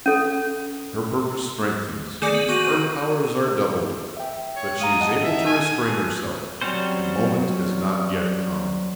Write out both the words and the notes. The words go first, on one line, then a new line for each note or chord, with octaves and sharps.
Her purpose strengthens, her powers are doubled, but she is able to restrain herself: the moment has not yet come.
C#4 A4
D#3 A3 G#4 D5
B3
D#3 F#4 F#5
E5 G5
C#5
G#3 F5 A#5 D#6
D#5 F#5 A5
E5
G#5 A5
F#3 G3 C4 C#4 C5